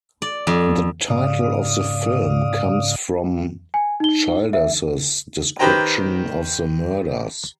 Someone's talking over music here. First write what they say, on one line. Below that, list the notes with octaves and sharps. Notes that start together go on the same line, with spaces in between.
The title of the film comes from Childers's description of the murders.
D5
F2
G#2 C#3 D5 F5 D#6
G#5
D#4 G7
E5
D#3 G4 B4 C5 G5 A#5